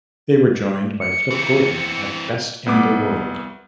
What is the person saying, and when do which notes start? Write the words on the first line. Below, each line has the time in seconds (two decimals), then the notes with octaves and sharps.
They were joined by Flip Gordon at Best in the World.
1.00 C#7
1.30 E3 C4
2.66 C2 B3 D6